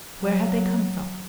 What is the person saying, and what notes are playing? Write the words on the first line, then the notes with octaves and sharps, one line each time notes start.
Where had they come from?
F#3